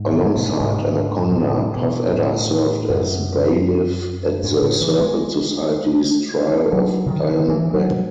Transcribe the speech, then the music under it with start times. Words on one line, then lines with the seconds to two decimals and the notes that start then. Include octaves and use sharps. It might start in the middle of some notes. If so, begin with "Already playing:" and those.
Alongside Anaconda, Puff Adder served as bailiff at the Serpent Society's trial of Diamondback.
Already playing: G#2
0.12 D#3
0.24 C#3
0.37 B2
0.49 A2
0.61 G#2
1.29 B2
1.38 A2
1.76 B2
2.13 A2
2.90 F#2
4.43 G#2
4.62 A2
4.81 E3
5.00 G#3
6.73 F#3
7.06 C#3
7.10 D#3
7.49 E3
7.74 F#3